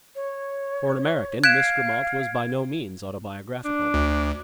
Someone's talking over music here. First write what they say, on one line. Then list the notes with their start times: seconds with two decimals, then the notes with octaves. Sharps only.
For an American Miss Grammont was by no means autobiographical.
0.15 C#5
1.44 F5 F#6 G#6 B6 D7 E7
3.65 D4
3.94 D2